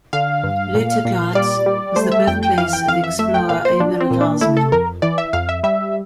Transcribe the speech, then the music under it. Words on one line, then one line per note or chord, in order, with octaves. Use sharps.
Lutjegast was the birthplace of the explorer Abel Tasman.
D3 F5
G2
A#2
A#2
G3 D5
G3
A3 C5
E5
F2 G5
G5
E3 F5
G5
F2 F5
E5
A3 E5
G5
A#2 F5
C5
F3 D4
C4
A#2
D4
A3 E4
A4
F2 A#4
E3 D5
E5
F2 F5
E5
G3 E5